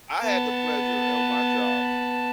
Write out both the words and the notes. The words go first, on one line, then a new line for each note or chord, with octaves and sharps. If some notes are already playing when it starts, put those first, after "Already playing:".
I had the pleasure at my job
B3 A5